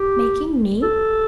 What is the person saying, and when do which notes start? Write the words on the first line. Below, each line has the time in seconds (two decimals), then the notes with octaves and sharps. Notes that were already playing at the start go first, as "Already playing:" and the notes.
Making me?
Already playing: G4
0.83 A4